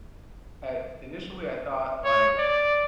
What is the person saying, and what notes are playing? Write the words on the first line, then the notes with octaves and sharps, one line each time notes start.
uh initially, I thought, like,
C#5
D5